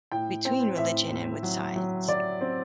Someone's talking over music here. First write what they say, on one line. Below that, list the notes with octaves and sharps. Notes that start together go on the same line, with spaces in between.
between religion and with science.
A2 G5
C4 G5
A2 E5
A2
F#3
F#3
F#3 D5
C4